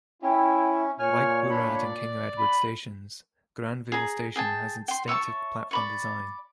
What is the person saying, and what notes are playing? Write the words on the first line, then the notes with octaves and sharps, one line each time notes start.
Like Burrard and King Edward stations, Granville station has a distinctive platform design.
C#4 E4 G5
A#2 C#5 G#5 F6
D4 B5
D5
B5
G#4 A#5
G#4 G5 A5
G5 C6
C#5 E5 A5 C#6
D5 B5 C#6